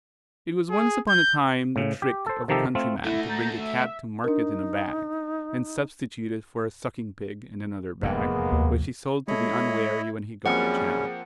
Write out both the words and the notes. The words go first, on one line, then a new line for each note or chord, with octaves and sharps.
It was once upon a time the trick of a countryman to bring a Cat to market in a bag, and substitute it for a sucking pig in another bag, which he sold to the unwary when he got the chance.
G#4
G6
A2 C#3
G4
A4 C5
C3 D#3 F3 D#4 G4 A4
A3 C4 F4
A3 E4 F#4 A#6
A#5 G6 A6
E5
D4 D#4 A#4
F1 E2 G#2 G#3 A#3 B3
D#2
G#3 E4 A4 C#5 D#5 B5
F#2 F3 G3 A#3 C4 C#4 G#4 F#5